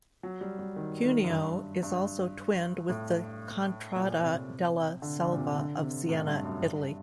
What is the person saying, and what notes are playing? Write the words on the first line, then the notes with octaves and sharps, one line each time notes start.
Cuneo is also twinned with the contrada della Selva of Siena, Italy.
F#3
G3
G3
D#3
D#3
F#2
G2
G2
A2
A#2
C3
D3
D3
A#2
C3
D3
C3
A2
G2
F#2
G2